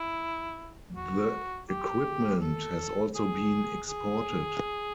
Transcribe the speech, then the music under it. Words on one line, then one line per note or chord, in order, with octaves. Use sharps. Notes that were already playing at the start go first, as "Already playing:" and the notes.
The equipment has also been exported.
Already playing: E4
F#4
G4
A4
G#4
G#4